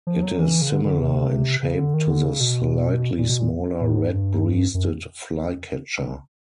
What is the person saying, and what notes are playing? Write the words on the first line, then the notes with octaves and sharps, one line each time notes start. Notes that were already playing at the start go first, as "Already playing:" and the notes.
It is similar in shape to the slightly smaller red-breasted flycatcher.
F3
F#3
E3
C#3
D3
D3
C3
C#3
D3
D#3
D3
C#3
B2
A#2
B2
A#2
A2
G#2
G2
F#2